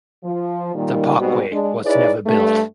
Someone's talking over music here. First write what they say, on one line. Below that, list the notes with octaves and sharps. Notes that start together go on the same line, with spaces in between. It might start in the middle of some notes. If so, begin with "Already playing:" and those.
The parkway was never built.
F3
A#2 D#3 G3
G#2 B2 G3 C4 F#4
G#3 D4
D#4 E4 G#4 B4 C#5 D5
G2 A3